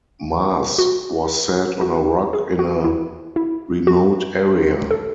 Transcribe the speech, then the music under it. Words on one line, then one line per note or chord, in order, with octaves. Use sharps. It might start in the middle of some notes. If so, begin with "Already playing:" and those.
Mass was said on a rock in a remote area.
F#4
F#4
G#4
F#4
E4
E4
F#4
A4